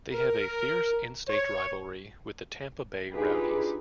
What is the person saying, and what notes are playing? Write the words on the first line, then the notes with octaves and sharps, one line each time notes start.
They have a fierce in-state rivalry with the Tampa Bay Rowdies.
A#4
C#5
D4 D#4 F4 G4 G#4 B4